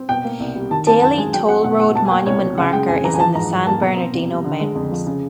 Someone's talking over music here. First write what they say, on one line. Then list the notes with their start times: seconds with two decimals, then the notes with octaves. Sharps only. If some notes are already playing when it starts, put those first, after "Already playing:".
Daley Toll Road Monument marker is in the San Bernardino Mountains.
Already playing: C4
0.09 B2 G5
0.24 A#3
0.40 C2
0.56 G3
0.71 D#3 A5
0.87 C4 A5
1.02 F#2 A5
1.18 G#3 G#5
1.33 F#3 G5
1.48 C4 F#5
1.64 B2 F#5
1.80 A3 F#5
1.95 B2 A5
2.05 G#5
2.11 A#3 G5
2.26 C2 C#5
2.42 F#3
2.58 C#3 F#5
2.73 G#3 G5
2.88 F2 G#5
3.04 E3 A#5
3.14 G#5
3.20 F3 A5
3.35 G#2 A#5
3.51 G#2
3.66 A#3 A5
3.82 B2 A#5
3.97 C4
4.13 C2
4.29 G3
4.44 D3
4.60 G#3
4.75 F2
4.91 F3
5.06 C#3